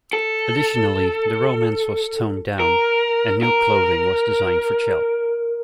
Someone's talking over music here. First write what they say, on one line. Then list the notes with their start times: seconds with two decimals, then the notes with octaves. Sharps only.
Additionally, the romance was toned down, and new clothing was designed for Chel.
0.13 A4
2.60 A#4
3.43 A#4